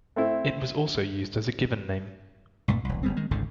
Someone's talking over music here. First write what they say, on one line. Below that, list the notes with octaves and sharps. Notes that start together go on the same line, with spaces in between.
It was also used as a given name.
A3 C4 E4
C2 G2 A#2 A3
E1 C2
F#1 G3 B3 C4
D#3 G#3
G#1 C#2 G#2 D3